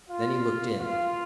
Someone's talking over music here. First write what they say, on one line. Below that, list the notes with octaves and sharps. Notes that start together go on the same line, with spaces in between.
Then he looked in.
F4
F4